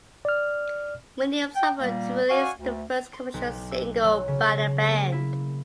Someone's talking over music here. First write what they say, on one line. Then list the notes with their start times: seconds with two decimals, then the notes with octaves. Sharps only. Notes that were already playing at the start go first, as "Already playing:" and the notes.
Williams offered to release the first commercial single by the band.
0.25 D5 F6
1.55 G5
1.80 A#2 G3 A#3
2.30 F#4 D5 F5 F#5 G#5 C#6
2.56 D2
3.13 C6
3.34 B1
3.71 E6
4.04 F#3
4.28 C#3
4.88 A#3
5.12 E4